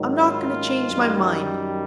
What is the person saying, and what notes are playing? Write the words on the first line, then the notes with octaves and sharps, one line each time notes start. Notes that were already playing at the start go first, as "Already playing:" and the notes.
I'm not going to change my mind.
Already playing: G#2 D#3 F#3
F4
F#2 D#3 G3